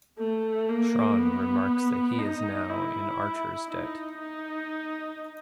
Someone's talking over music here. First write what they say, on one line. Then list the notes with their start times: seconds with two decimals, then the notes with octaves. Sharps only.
Shran remarks that he is now in Archer's debt.
0.19 A3
0.69 A#3
1.18 B3
2.19 D#4
2.69 E4
3.68 D#4
4.18 D#4